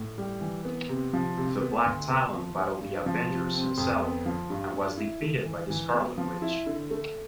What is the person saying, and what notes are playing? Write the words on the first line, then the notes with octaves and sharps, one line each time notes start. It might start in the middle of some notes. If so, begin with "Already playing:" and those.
The Black Talon battled the Avengers himself, and was defeated by the Scarlet Witch.
Already playing: A2
G3
E3
B3
C3
F3
C3
B3
D2
B3
F3
G2
G2
F3
C3
C4
F2
B3
F3
G2
G2
E4
A3
E3
E3
B3
F3
E4
D3
A3